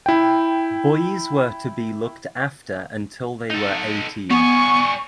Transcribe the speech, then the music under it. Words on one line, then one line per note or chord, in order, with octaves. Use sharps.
Boys were to be looked after until they were eighteen.
E4 G5
D#4 A4
G3 B3 G#5 C#6